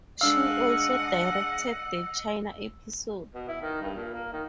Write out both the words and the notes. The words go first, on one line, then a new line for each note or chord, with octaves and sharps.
She also directed the China episode.
G#3 D4 D#5 F5 F#5 E6
B2
E4
D#3
G2
A#2
A#3
D#3